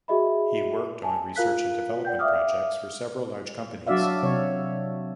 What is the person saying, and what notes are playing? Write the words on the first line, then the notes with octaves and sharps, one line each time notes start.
He worked on research and development projects for several large companies.
F#4 G#4 D#5 E5 B5
G#5 A5
F4 A#4 F5 F#6 B6
D5 F#5 G5 G6
E5 F5 D6 D#6 F6
F#3 D4 F#4 D5 E5 F5
C3 F#3 C#5